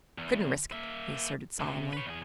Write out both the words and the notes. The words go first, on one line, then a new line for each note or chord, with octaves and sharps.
"Couldn't risk it," he asserted solemnly.
E2
A#3 E5
C2 C3
B4 C#5
E2 G#4